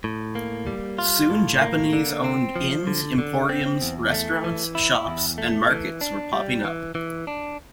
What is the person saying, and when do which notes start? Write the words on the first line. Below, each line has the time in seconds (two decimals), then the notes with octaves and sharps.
Soon Japanese-owned inns, emporiums, restaurants, shops, and markets were popping up.
0.04 A2
0.35 A#3
0.67 G3
0.98 F4
1.30 A2
1.61 A#3
1.93 D3
2.24 C4
2.56 F3
2.87 D3
3.18 D3
3.49 C4
3.81 E2
4.13 A3
4.44 E3
4.75 E4
5.07 E2
5.38 A3
5.70 E3
6.01 D4
6.33 G3
6.64 E3
6.95 E3
7.27 D4